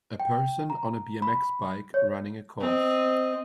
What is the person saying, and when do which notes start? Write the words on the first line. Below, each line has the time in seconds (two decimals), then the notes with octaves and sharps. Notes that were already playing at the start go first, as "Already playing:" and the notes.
A person on a bmx bike, running a course.
0.20 G5
0.70 A#5
1.22 B5
1.94 C#5
2.60 C4 D#5